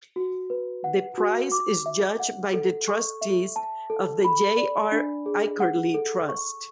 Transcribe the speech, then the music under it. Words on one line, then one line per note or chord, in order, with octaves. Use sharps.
The prize is judged by the trustees of the J. R. Ackerley Trust.
F#4
B4
F#5
F#4
D6
E5
F#5
A4
C#6
E5
A5
A4
B5
D5
D4
G#4
F#5
A4
C#6